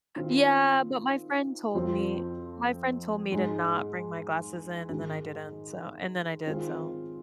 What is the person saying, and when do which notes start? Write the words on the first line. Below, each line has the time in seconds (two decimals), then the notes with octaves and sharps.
Yeah, but my friend told me my friend told me to not bring my glasses in and then I didn't so, and then I did. So
0.16 D#3 C4 F4
1.74 F2 F3 C4 F4
3.32 G#2 G#3 D#4
4.89 G#2 D#3 G#3
6.47 D#3 G#3 C4 F4